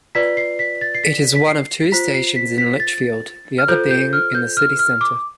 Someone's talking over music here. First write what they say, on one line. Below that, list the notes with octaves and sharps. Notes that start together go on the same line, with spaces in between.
It is one of two stations in Lichfield, the other being in the city-centre.
F4 B4 D5 B6
C7
B6
A6
C7
B6
B6
C7
F4 C5 B6
C7
B6
B6
A6
F6
F4 A4 C5 G6
G6
F6
G6
F6
F6
D6